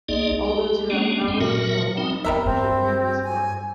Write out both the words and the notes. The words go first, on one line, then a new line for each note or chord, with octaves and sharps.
All those who have power - or want it - should read this book.
C2 A#3 D#4 G#4 D5 D#5
G4
G#3 A#3 C#4 D4
G2 G#3 C4 G5
A#2 F#3 F#4 A#4 E5
C4 D#4
E2 G2 G3 A#4 E5
G2 C4
G#5